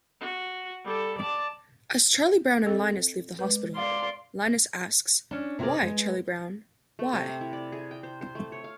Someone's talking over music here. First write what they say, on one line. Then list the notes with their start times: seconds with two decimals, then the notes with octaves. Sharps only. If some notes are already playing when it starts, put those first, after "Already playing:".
As Charlie Brown and Linus leave the hospital, Linus asks: "Why, Charlie Brown, Why?".
0.21 F#4
0.85 G3 A4
1.18 D5 A5
2.65 C4 A4 D#5
3.39 G#3 B4
3.75 D5 F5 C6
5.31 C#4 D4
5.59 C3 B3 C4 G#4 A#4 D5
5.82 G#3 B4
6.99 A3
7.13 C3
7.25 C5
7.41 E4
7.53 D5
7.72 G#4
7.91 G5
8.03 C5
8.21 C5
8.35 A3
8.52 C#5
8.64 F5